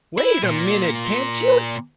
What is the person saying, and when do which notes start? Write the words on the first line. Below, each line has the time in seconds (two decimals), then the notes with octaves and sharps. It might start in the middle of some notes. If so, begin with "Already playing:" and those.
"Wait a MINUTE, can't you?"
0.18 E4
0.43 A#2